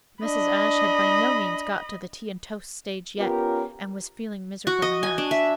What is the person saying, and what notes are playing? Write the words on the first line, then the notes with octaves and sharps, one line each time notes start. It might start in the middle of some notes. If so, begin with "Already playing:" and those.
Mrs. Ashe had by no means got to the tea-and-toast stage yet, and was feeling miserable enough.
D4 D#5 B5
B3 C#4 F4 G4 A#4
F#4
D#5
G#5
D4
E5